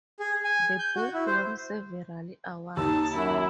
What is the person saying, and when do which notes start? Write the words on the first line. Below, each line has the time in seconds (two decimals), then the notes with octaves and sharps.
The book won several awards.
0.20 G#4
0.44 G#5
0.79 G6
0.96 F#4
1.14 E4
1.27 C5
2.77 D#2 D#4 A5 E6
3.15 F#2 E4 F#4